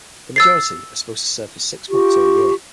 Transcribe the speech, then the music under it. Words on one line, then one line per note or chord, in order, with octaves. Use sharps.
The majority are supposed to serve for six months or a year.
E6 A6 C7
F4 G4 C#6